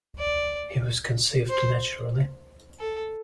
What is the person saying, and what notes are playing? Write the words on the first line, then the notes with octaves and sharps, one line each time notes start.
He was conceived naturally.
D5
C5
A4